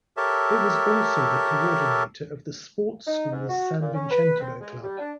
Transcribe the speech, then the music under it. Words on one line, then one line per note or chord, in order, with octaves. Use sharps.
It was also the Coordinator of the sports schools sanvicentero club.
G4 A4 A#4 C#5 E5 A5
D#4
G#2
F#4
A#2
C#4
B4
C4
G#3
G3
D4